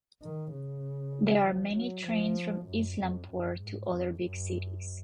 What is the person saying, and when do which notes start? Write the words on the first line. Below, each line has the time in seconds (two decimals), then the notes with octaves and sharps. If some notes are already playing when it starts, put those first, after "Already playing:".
There are many trains from Islampur to other big cities.
0.23 D#3
0.52 C#3
1.44 F3
1.75 F#3
2.06 F3
2.67 F#2
2.98 F2
3.29 F#2
3.59 G#2
3.90 F2
4.21 F#2